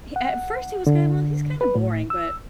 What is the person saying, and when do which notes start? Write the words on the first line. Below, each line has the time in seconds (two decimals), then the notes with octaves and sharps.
He at first, he was kinda, "Well, he's kinda boring," but,
0.16 F#5
0.87 D3
1.61 B4
1.75 A2
2.10 E6